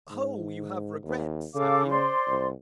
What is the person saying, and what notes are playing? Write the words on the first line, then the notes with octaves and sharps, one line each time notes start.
"Oh, you have regrets, have you?"
G#2
D#2
C#3 A4 F5 D6
C5 D5 C6
C2